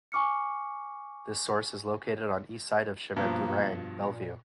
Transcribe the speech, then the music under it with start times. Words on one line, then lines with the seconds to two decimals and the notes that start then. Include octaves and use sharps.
This source is located on east side of Chemin du Rang Bellevue.
0.12 G#5 C#6 D6 F6 C#7
3.16 G2 B2 F3 A#3
4.03 A#2